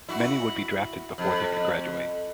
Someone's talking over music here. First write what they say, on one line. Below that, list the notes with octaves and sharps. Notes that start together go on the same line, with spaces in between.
Many would be drafted before they could graduate.
E4 F#4
F2